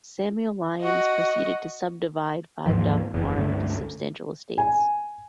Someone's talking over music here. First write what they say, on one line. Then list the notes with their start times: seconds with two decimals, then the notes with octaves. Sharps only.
Samuel Lyons proceeded to subdivide Five Dock Farm into substantial estates.
0.81 F#4 D#5
2.66 D#2 G#2 E3 F3
3.14 F#1 E2
3.35 C#2 G2 D3 A3
4.58 G#5